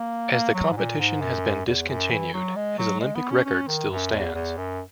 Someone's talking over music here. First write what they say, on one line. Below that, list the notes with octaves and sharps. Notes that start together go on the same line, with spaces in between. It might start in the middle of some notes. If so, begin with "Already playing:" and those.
As the competition has been discontinued, his Olympic record still stands.
Already playing: A#3
A#3
F#3
G#2
A#2
G#2
F#2
E2
F#2
E3
F#3
G#3
F#3
G#3
B3
C#4
C#4
D#3
F#2
E2
E2
F#2